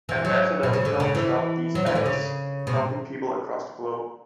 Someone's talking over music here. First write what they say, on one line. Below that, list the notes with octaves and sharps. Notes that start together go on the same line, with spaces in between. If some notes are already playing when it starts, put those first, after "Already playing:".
Ambassadors help stop these acts, helping people across the globe.
E3
F#3
B2
C#3
D3
C#3
E3
F#3
E3
D3
C#3
B2